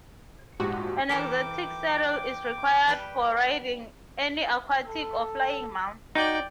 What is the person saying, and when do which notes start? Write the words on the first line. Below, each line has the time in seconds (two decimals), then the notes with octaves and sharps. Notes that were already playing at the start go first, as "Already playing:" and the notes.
An exotic saddle is required for riding any aquatic or flying mount.
0.60 A#1 G#2 F#4 G4
1.09 E3 A4 A#4 G5 D6
2.88 G3 G4 B4
4.86 A4
6.15 D#4 F#4 D5 G5